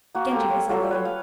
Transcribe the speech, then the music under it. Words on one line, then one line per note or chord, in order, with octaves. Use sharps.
Genji was alone.
A#3 F#4
A#3 C4 G4 A4
C#5
F#3 F4 A4
B4 C#5 G5
F5